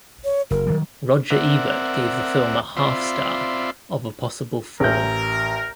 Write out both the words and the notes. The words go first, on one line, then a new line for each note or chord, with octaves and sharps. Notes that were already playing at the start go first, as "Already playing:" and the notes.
Roger Ebert gave the film a half-star of a possible four.
C#5
F#1 A#4
D#3 F#3 G3
C4 A#4 D5 E5 F#5
C4 F4 D5 E5 B5 C6
A1 A#4 G6